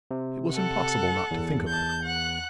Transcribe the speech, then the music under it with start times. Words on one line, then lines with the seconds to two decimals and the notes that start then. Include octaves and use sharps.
It was impossible not to think of her.
0.11 C3
0.52 A4 F#5
1.31 E2
1.68 A5 G6
2.03 F#5 F#6